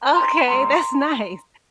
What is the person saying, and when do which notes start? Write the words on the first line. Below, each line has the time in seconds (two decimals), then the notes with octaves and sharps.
Okay, that's nice.
0.15 A#5 C6
0.38 B5
0.48 C2 C3 D#3 G#3 A#5 C6